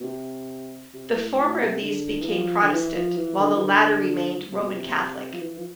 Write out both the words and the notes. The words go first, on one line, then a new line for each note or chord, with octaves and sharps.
The former of these became Protestant, while the latter remained Roman Catholic.
B2
C3
C3
A2
G#2
A2
C3
D3
E3
F3
D3
E3
F3
E3
D3
E3
D3
C3
B2
C3
F3
E3
F3